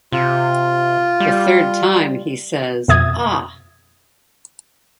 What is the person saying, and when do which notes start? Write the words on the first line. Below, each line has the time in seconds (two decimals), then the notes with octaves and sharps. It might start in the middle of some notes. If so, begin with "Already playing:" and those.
The third time, he says Ah!
0.12 C3 F4
1.20 G3
2.88 F2 B2 E5 D#6 G#6